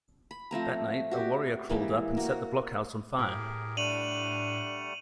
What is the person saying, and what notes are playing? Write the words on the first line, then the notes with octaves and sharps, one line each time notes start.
That night, a warrior crawled up and set the blockhouse on fire.
B5
F3 A3 C4 A#5
F#4 G4
E3 G3 G#3 A#3
A#3 F#4
A2 G4 G#4 A#4
G3 A3 D4 F#5 D#7 F7 F#7